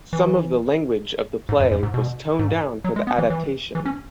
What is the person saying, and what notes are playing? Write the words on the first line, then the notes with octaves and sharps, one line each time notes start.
Some of the language of the play was toned down for the adaptation.
E3
G#2
F#2
F#2
G#2
B2
G#2
F#3
G#3
B3
E3
E3
E3
C#4